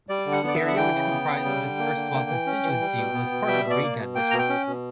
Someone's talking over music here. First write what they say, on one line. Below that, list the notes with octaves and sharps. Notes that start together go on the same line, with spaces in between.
The area which comprised this erstwhile constituency was part of Raigad district.
G3 D5
D3
F#5
B3 D5
E5
D3
F#5
E3 G5
C#3
B3
C#3
G3
D3
A#3
D3
A#3
E3
C#4
E3
G3
B2
B3
B2
G3 E5
B2
D5
A#3
B2
A#3 G5
B2 A#5
G5
C#4
B2